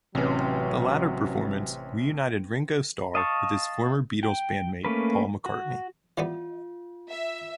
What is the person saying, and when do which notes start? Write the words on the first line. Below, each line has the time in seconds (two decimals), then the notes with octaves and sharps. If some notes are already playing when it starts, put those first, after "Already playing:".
The latter performance reunited Ringo Starr with his former Beatles bandmate Paul McCartney.
0.15 A1 C3 F#3 C4 C#4 B4
3.15 D#5 F5 A5 C#6
4.23 G5
4.85 A3 A#3 C#4 B4
5.46 F#4
6.18 E3 G3 B3 F4
7.09 E5